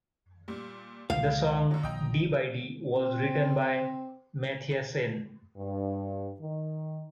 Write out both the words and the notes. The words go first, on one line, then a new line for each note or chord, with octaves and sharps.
The song "D by D" was written by Mathiassen.
A#2 G3
C#2 B2 F3 F5
F#2 F#3
A#1 D#5 G5 A#5
C4
G2
D#3